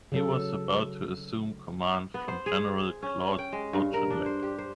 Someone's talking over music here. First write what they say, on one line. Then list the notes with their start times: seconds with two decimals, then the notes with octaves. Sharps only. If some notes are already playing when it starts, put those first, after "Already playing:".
He was about to assume command from General Claude Auchinleck.
0.12 C#3 F#3 A4
2.14 B3
2.28 C5
2.46 G#4
3.03 C#4
3.38 G5
3.52 G#3
3.73 G2
3.93 A#4
4.10 D4
4.26 C5
4.43 G4
4.58 C5